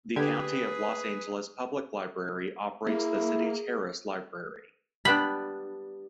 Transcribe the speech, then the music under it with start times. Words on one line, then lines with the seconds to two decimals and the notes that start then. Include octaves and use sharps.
The County of Los Angeles Public Library operates the City Terrace Library.
0.16 D3 G4 G#4 B4 G#6
2.87 A#3 E4 G#4
5.05 G3 B3 D4 B5